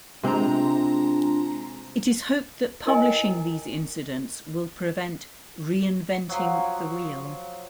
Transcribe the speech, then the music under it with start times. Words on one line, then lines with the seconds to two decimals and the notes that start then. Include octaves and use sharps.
It is hoped that publishing these incidents will prevent "Re-inventing the Wheel".
0.23 C3 G#3 C4 D4 F4 A#5
2.86 E4 A#4 D#5 G5 G#5
6.29 F3 F#3